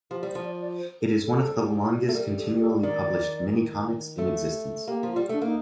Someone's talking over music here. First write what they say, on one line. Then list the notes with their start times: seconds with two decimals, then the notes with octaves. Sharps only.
It is one of the longest continually published mini comics in existence.
0.10 F3 G4
0.23 G3 C5
0.35 F3
0.44 D5
0.61 D5
0.78 C5
1.01 A#4
1.24 A4
1.47 G3
2.09 A3
2.14 G3 A#4
2.38 A4
2.60 A4
2.83 D#3 D5
4.18 A3
4.87 A#3 G4
5.03 F3
5.10 F4
5.16 G3
5.29 A3 D4
5.41 A#3 D#4